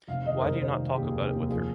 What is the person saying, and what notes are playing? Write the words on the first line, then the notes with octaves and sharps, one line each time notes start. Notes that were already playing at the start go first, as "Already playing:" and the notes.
Why do you not talk about it with her?
F1 F5
D#3 D#5
A#4
F1 C5
D#3 C5
F1
D#2 G4
G#4
F1
G4
D#2
F3 G#4